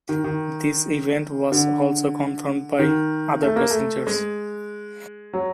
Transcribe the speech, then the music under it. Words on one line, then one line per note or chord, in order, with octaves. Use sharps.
This event was also confirmed by other passengers.
D#3
D#3
D3
D#3
A3
A#3
A3
G#3
F#3